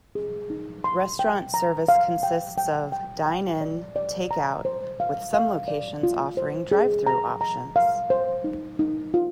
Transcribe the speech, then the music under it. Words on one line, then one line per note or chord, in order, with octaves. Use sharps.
Restaurant service consists of: dine-in, take-out, with some locations offering drive through options.
G#4
D#4
C6
G5
A#5
F5
G5
G5
G5
G5
D5
D5
A#5
C5
F5
F5
D5
F4
C5
G#4
A#5
A#5
F5
C5
D#4
D#4
F4